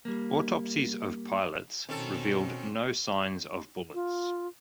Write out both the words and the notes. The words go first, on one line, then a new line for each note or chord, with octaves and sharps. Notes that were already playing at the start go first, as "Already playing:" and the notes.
Autopsies of pilots revealed no signs of bullets.
G3 A#3
B2 D#3 C4 C#4 A4
F4